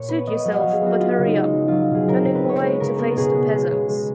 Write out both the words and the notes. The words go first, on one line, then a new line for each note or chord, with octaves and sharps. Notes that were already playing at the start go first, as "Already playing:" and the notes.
Suit yourself, but hurry up. - Turning away to face the peasants.
Already playing: A#2 C#5
B3 B4
B3 D#5
F#3 F#5
F#3 F5
G#4
B3 F#4
B3 F4
C#3
D#4
G#3
F#3
F#3 F4
B2 G#4
C#3 A#4
C#3
B4
B3 C#5
G#3 B4
C#3 A#4
B3 A#4
B2 G#4
B3
G#3
C#3
G#3